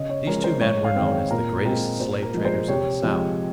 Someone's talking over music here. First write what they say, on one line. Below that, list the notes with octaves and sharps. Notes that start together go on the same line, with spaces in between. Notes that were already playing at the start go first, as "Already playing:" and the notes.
These two men were known as the greatest slave traders in the South.
Already playing: C#3 D#5
C#5
F3 G#3 C#4 A#4
C5
G#2 C#5
F5
D#3 G#3 C4
C#5
A#2 A#4
G#3 C4 A#4
A#2 C5
A#4
F3 G#3
C5
C3 C#5
F3 G#3 C4